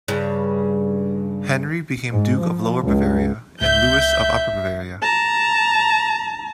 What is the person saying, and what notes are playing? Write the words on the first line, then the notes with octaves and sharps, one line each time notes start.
Henry became Duke of Lower Bavaria, and Louis of Upper Bavaria.
G2 C#3
G#2
F3
C#2
C#2 E5 G6
A5 A#5